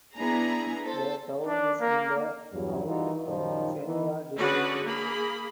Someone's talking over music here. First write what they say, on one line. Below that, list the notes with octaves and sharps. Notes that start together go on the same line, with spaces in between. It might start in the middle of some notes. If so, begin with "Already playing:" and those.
The town is in the Awutu Senya district.
B3 D4 E4 G#4 A#5
A4 C5
D4
A#3
E2 G2 F#3
E3 G3 D#4 F4 F#4 A4
F#2 A#2 D#3 F3 G3 D#4
E3 B3 D#4
D3 C#4 F#4 G#4 B4 D5
A#3 G#4 B5